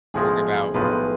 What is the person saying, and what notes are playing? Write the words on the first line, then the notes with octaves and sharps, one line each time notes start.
worrying about,
B1 A2 F3 G#3 G#4
B1 A2 F3 G#3 B4